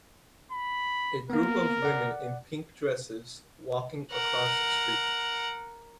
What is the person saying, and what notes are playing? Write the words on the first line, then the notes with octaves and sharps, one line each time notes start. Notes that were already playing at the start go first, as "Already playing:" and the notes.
A group of women in pink dresses, walking across a street.
B5
A#3 B3 A#4
D5 F#5
A#4 F#5